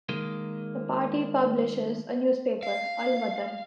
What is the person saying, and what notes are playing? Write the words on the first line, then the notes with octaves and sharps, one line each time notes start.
The party publishes a newspaper, "Al Watan".
D#3 G#3 A#3
F5